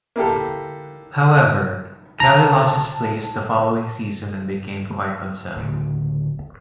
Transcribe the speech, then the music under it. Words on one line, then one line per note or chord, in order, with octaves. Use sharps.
However, Kelly lost his place the following season and became quite unsettled.
A#3 E4 G4 A4
A5 A#5
D1 D2 C#3